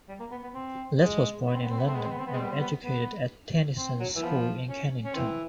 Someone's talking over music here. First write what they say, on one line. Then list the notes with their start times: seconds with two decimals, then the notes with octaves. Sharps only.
Letts was born in London, and educated at Tenison's School in Kennington.
0.09 G3
0.20 A#3
0.31 B3
0.43 B3
0.54 C4
1.01 G#3
1.47 B3
1.55 C4
1.63 B3
1.71 C4
1.79 B3
1.85 A3 C4
1.92 G#3 B3
2.03 C4
2.11 B3
2.19 C4
2.27 B3
2.33 G#3 C4
2.38 G3
2.43 B3
2.51 C4
2.60 B3
2.85 B3
3.77 C4
4.00 F#3
4.16 E3
4.23 F3 B3
4.69 C#4
5.05 C#4
5.14 E3 C4